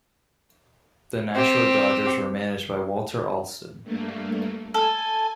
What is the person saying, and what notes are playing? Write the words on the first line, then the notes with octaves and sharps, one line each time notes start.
The Nashua Dodgers were managed by Walter Alston.
C4 G4
G2 A3 A#3
A4 G#5